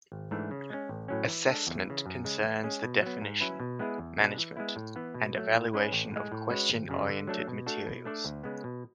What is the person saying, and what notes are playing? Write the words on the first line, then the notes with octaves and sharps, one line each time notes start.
Assessment concerns the definition, management, and evaluation of question-oriented materials.
G#1
G#2 E3 A3 D4
C#3
G#3 C#4
A1
A2 F#3 C#4
E3
G#3 D4 A4
E2
C#3 E3
F#2
C#3 G#3
E3
G#3 C#4 G#4
B2
F#3 B3
G#2
F#3 C#4 E4 B4
B2
G#3 B3 E4 G#4
E2
B2 G#3 D4
E3
G#3 B3 E4
A2
E3 B3
B2
F#3 A3
A2
G#3 C#4 G#4 B4
A1
A2 G#3
A2
G#3 C#4 F#4 B4
G#1
F#2 C#3
D3
F#3 A3 D4 A4
B2
A3 D4 F#4 A4
B2
A3 D4 A4 D5
D2
C#3 G#3 B3
B2